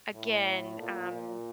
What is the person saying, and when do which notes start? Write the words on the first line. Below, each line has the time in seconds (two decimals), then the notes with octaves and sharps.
again, um,
0.14 A2
0.80 A#2
1.13 A#2